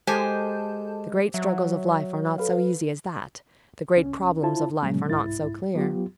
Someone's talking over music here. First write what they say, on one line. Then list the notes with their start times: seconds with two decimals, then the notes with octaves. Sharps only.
The great struggles of life are not so easy as that; the great problems of life are not so clear.
0.07 G#3 G4 A4 C5 G#5 A5 G6
1.34 F#3 E5
2.38 A4 B4 F5
3.96 C#2 C#4
4.43 E4 F4 C5 A5
4.83 A#2 C#3 F#3 G#3 A#3 C#4
5.10 C2 G#2 E4 A6
5.74 F#3 B3 F4 G4